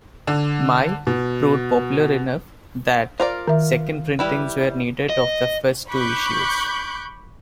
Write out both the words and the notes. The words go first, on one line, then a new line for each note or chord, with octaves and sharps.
"Mai" proved popular enough that second printings were needed of the first two issues.
D3
B2
F4 A#4 C5 D5
D#3 E5
G3 E4 B4
D#5
B5 C#6 D6 F#6 G6